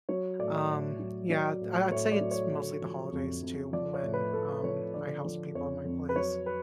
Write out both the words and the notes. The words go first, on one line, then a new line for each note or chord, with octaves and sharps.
Um, yeah, I'd I I'd say it's mostly the holidays too, when, um, I host people in my place,
F#3 C#5
A2 D5
A2
F#3
F#3 D5
A2
A2 C#5
D5
F#3
C#5
D3
F3
F2
F2
F3 D5
C#5
A2
B4
A2 A4
F3 C#5
D3 D5
F3
F2 C#5
F2
B4
F#3 C#5
B4